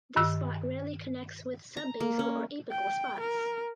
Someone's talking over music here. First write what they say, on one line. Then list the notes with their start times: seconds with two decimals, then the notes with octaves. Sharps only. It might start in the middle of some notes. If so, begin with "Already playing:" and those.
This spot rarely connects with subbasal or apical spots.
0.16 G2 D#3 E6 F#6
1.77 A#5
2.00 A#3
2.19 C#4
2.72 G5
3.20 A#4